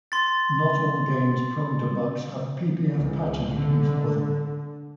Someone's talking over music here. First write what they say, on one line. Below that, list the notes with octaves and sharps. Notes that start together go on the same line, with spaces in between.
Not all games prone to bugs have ppf patches written for them.
C6 A6
C#2
D3